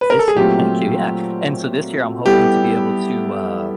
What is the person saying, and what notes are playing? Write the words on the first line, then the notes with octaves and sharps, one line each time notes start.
this year Thank you, yeah, and so this year I'm hoping to be able to, uh,
B4
A#4
A4
G#4
A#2 F#3 A3 C4 F4 G4
G3 B3 E4 G4 A4